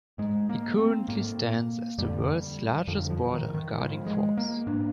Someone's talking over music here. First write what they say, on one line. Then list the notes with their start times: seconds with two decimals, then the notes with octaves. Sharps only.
It currently stands as the world's largest border guarding force.
0.18 G#2 G#3
0.49 A#3
0.78 C4
1.08 G#2 A#3
1.98 F2 D3 G3
2.87 F2 D3 F3
3.10 F3
3.32 D#3
3.54 D#3
3.77 G#2 F3
4.06 G#3
4.38 A#3
4.67 G#2 D4